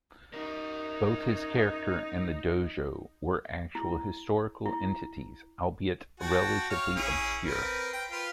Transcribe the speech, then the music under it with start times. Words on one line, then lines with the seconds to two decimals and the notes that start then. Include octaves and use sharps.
Both his character and the dojo were actual historical entities, albeit relatively obscure.
0.34 C#4 D#4 A#4
3.75 E4
4.66 E4
6.20 F#4 G5 A5
6.70 C#5 F5
6.96 C#4 E4 G#4
7.44 C4 A#4 B4
7.93 G5
8.11 F4 B4